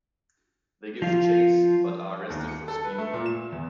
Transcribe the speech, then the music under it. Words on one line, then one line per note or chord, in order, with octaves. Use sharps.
They give chase but are arrested for speeding.
F3 F4
D#2
C#7
A4
B4
A3
A#2
E7
E2